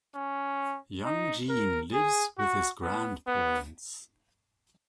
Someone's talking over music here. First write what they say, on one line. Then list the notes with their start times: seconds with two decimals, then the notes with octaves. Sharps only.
Young Jean lives with his grandparents.
0.15 C#4
1.04 D#4
1.49 A#4
1.93 G#4
2.38 F#4
2.82 B3
3.27 B3